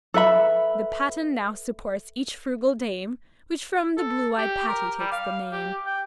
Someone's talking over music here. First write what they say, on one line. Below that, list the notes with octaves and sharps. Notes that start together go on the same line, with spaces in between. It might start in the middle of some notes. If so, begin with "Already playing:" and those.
The patten now supports each frugal dame, Which from the blue-eyed Patty takes the name.
A4 B4 E5 B5
A4
G4
A#4
G3
F5
G4
G5